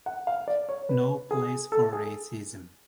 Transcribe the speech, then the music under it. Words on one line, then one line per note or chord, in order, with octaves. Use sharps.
No place for racism.
F#5
F5
D5
C#5
B4
G#4
A4
G#4